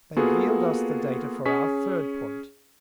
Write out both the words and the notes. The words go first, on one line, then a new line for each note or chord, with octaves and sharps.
They yield us the data for our third point.
A#3 B3 F4 F#4 G#4 A4
C#4 G#4 C#6 B6